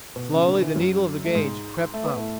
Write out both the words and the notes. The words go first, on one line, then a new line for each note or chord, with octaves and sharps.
Slowly the needle of the gauge crept up.
B2
C#3
D3
E3
F#2 F#3
A3
G#2 G#3
A3
B3
A2 A3